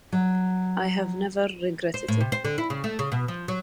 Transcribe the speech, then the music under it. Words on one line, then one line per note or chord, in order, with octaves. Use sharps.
I have never regretted it.
F#3
C5
A2
C3
C5
D3
E4
C#3
A3
C#3
B2
F3
F#3